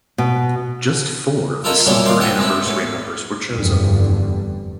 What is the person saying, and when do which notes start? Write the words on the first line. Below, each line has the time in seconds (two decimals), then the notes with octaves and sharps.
Just four of the silver anniversary members were chosen.
0.18 B2
1.64 E4 F4 A4 A#4 D#5 E5
1.86 F2 A2 F#3 G3 C#4 E4
2.05 D#3 F5 C6 D6
2.20 G4 A4 C5 F#5 G#5
2.38 G#3 C4 E4
2.66 A2 B3
3.55 F1 E2 G2 D3 G3